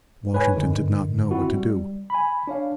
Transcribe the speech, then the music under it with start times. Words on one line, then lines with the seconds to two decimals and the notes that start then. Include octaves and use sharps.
Washington did not know what to do.
0.33 G#2 B4 C#5 G#5
0.56 G2 D3 D#3
1.31 C4 E4 F#4
1.54 G3
2.10 G#5 B5
2.47 D4 C#5 F5